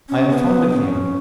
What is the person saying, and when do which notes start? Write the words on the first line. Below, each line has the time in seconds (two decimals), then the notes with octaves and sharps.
I am fond of him.
0.09 C#4
0.30 B3
0.70 D#4
0.73 C#4